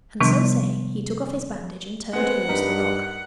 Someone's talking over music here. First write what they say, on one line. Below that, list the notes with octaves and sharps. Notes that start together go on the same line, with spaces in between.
And so saying he took off his bandage and turned towards the rock.
C3 D#3 F3 G3 B3 D4
G#3 B3 C4 F#5
G2 D#4 A#4 B4